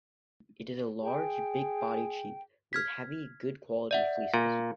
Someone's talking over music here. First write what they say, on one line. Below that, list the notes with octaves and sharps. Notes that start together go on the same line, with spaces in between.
It is a large, big-bodied sheep with heavy, good quality fleeces.
G#4 G5
F6 G#6 B6
D5 E5 F#5
A#2 F5